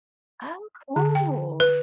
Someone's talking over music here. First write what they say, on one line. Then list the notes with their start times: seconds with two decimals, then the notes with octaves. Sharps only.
Oh, cool!
0.96 D3
1.15 G5
1.60 B4